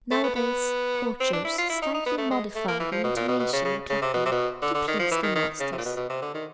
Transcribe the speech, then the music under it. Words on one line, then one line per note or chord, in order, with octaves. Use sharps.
Nowadays, courtiers slightly modify their intonation in clucking to please their masters.
A3
B3
B3
C4
D4
E4
F4
E4
D#4
D#4
B3
A3
G#3
A3
A#3
E3
F3
B2
A#2
B2
B2
C#3
C#3
C#3
C3
B2
C3
B2
D3
D3
D#3
F3
E3
D#3
D#3
C#3
C3
A#2
B2
B2
C3
D3
D#3